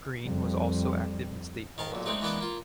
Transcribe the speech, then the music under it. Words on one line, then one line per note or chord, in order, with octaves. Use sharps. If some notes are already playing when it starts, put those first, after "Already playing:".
Green was also active in state politics.
F2 G3
D#3 F5 A5
B1 A#2
G#3 A3 C4 D4 D#4
E3 G#3 A#3 B3 D4 B4
A#3 F4